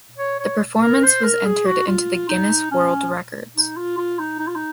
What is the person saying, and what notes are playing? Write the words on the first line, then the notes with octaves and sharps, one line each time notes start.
The performance was entered into the Guinness World Records.
C#5
C#5
A#4
C5
A#4
G#4
F#4
F4
D#4
C#4
D#4
F4
F4
D#4
D#4
F4
D#4